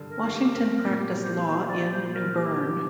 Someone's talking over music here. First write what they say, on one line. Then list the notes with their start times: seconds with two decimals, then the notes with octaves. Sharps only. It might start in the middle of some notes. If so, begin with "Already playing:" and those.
Washington practiced law in New Bern.
Already playing: G2 D3
0.09 A#4
0.24 A#3
0.32 G4
0.55 C4 A#4
0.78 A#4
0.85 A#2
1.00 G4
1.15 G3
1.23 C5
1.46 A#2 C5
1.69 D5
1.77 A#2
1.92 C5
2.07 A#2
2.15 A#4
2.37 A#3 G4
2.61 G4
2.68 F3